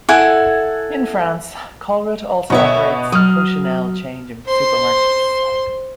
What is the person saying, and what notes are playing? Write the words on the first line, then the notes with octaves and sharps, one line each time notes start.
In France Colruyt also operates the Coccinelle chain of supermarkets.
E4 A4 F#5 G#5
D2 B2 B3 C#5 E5
F#3 D#6 F6
C5 C6